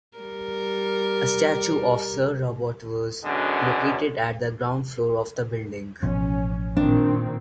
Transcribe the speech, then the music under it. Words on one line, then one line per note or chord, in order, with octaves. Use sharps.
A statue of Sir Robert was located at the ground floor of the building.
G3 A#4
F#2 B2 D3 G#3 C#4
A1 B2 F3 C#4
A#2 D#3 C4 D4